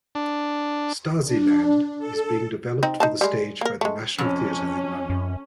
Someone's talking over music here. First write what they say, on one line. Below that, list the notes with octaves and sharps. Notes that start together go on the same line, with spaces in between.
"Stasiland" is being developed for the stage by The National Theatre in London.
D4
D4
A4
C4 D#4 D#5
D#4 C5 A5
G3 G#3
A#3 A#4
G#3 A3
F2 C#4
F#2